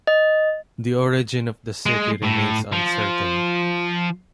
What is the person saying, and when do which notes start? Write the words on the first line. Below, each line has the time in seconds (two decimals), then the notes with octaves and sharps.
The origin of the city remains uncertain.
0.07 D#5
1.86 G#3
2.23 A2
2.72 F3